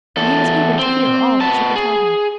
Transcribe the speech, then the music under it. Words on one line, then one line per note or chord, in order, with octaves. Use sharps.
And he was eager to hear all that she could tell him.
E2 A4
C4 C5
B3 A5
G#4